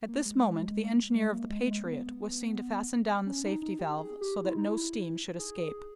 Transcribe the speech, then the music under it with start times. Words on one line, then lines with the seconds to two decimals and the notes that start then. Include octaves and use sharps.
At this moment the engineer of the Patriot was seen to fasten down the safety-valve, so that no steam should escape.
0.08 A#3
0.25 G#3
1.15 G#3
1.32 A#3
1.50 G#3
1.59 A#3
1.67 G#3
1.85 B3
3.27 C#4
3.44 D#4
3.62 D#4
3.79 G4
3.97 G#4
4.21 G4
4.44 E4
4.55 D#4
4.66 E4
5.39 G#4